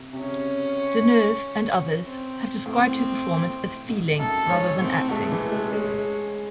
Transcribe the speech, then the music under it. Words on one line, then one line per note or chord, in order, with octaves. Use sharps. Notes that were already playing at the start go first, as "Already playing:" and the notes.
Deneuve and others have described her performance as feeling rather than acting.
Already playing: C3
C3
C#3 C#4
C4
A2 C4
G#2
F#2 A4
G#2 C#4
A2 C4
G#3 A3
E3
G#3
G#3 C#4